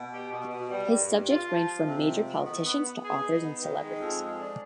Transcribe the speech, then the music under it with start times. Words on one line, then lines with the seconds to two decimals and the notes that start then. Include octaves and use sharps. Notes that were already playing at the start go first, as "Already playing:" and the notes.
His subjects ranged from major politicians to authors and celebrities.
Already playing: B2
0.13 G4
0.32 B2
0.51 B2
0.71 G3
0.90 G2
1.09 G2
1.29 F4
1.48 F3
1.68 F3
1.87 C3
2.06 F2
2.26 D#3
2.45 B3
2.65 B3
2.84 B3
3.03 G#4
3.23 D#4
3.42 B3
3.62 D#3
3.81 G#3
4.00 F2
4.19 G#3
4.39 D4